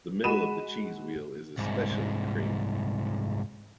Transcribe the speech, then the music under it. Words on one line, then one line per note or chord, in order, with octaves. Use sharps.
The middle of the cheese wheel is especially creamy.
G#3 F#4 B5 D#7 E7
C2 G#2